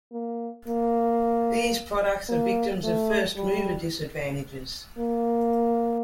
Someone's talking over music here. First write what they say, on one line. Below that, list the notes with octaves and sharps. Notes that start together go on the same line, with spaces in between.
These products are victims of first-mover disadvantages.
A#3
A#3
A#3
A3
G3
A#3